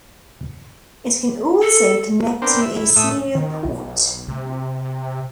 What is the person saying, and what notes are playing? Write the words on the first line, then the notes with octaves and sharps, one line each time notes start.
It can also connect to a serial port.
A4
B3 C4 D4 A#4 C5 G5
E5
E4
A2 A3 E5 D#6 E6
D#3
B1
C3